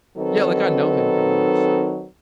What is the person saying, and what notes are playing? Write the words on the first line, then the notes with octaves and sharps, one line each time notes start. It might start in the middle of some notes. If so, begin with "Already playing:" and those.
Yeah like, I know him pretty much.
D#3 F#3 C4 D#4 A4 B4